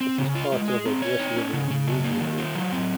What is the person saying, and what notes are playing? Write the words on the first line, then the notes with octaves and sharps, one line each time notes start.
It is part of Adresseavisen Media Group.
C4
C#3
F4
G#3
G#4
C4
C#5
D#4
C#4
C#3
C#3
F#3
A#3
D#3
F4
F#3
C4